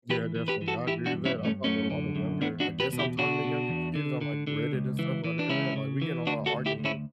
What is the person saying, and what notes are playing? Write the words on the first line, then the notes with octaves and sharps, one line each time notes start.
Yeah, definitely I agree with that, I talk to a lot of younger I guess I'm talking to younger kids on, like, Reddit and stuff on the internet, like, we get in a lot of arguments
E3 G4 B4
E3
G4 B4
E3
F#4 A4
E3 E4 G4
D4 F#4
G2
C#4 E4
G2
A3 C#4
F#2 A3 C#4
D3
F#2
E2 B3 D4
D4 F#4
E2
G4 B4
B2
E4 G4
B2 D4 F#4
B2
E2
D3
D3
D3
C#2
E3
E3
D4
C#2 C#4 E4
C#3
E3
D2 D4 F#4
F#4 A4
D2
E4 G4
D2
C#4 E4